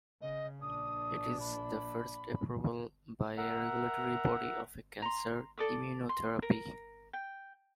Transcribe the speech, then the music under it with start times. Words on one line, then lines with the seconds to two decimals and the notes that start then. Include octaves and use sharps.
It is the first approval by a regulatory body of a cancer immunotherapy.
0.22 C#3 D#5
0.62 A#1 D4 D#6
1.40 B5
3.37 A#4 E5 F#5 A#5
5.02 A#5 C6
5.58 A4 D5 D6 D#6
6.09 C6
6.42 A#4
7.13 G5